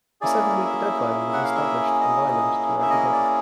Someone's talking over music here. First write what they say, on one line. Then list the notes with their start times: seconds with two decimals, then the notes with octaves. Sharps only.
A seven-week deadline was established for Nylund to write the book.
0.21 A#3 C#4 E4 G#4 D5
0.66 E5
1.11 E5
1.33 F#5
1.45 F5
1.55 E5
2.00 D#5
2.82 E5
2.90 D#5
3.12 D5